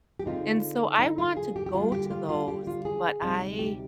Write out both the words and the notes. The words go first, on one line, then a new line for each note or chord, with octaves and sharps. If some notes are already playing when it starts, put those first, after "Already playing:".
And so I want to go to those, but I
G4
D3 G#3 C4 D#4 F4
D#4
F4
G#4
G4
G4
D3 G3 A#3 D4 F4
G4
F4
F4
G4
F4
G#4
D2 C3 G3 C4 D#4
G4